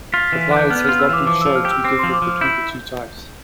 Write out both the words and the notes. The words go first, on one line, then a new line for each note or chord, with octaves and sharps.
Compliance has not been shown to be different between the two types.
F4 B6
B6
E3
B6
D4
G6
B3 F6
F4 F6
E6
E3 D6
F3 D6
F3 E6
F6
G4
E6
C4 D6
F3 C6
D6
F3
F6
E4 G6